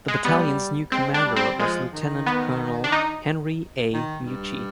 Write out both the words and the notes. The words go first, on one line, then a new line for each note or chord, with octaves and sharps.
The battalion's new commander was Lieutenant Colonel Henry A. Mucci.
G#3
G3 B3
G#3 C4
D4
G3
C4
F3 G#3
D#3
B3
D4
D#4
D#3
G2